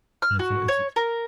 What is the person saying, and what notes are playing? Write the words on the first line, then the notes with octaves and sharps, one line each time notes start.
Yeah, so, li it's
F6
F#4
C#5
A#4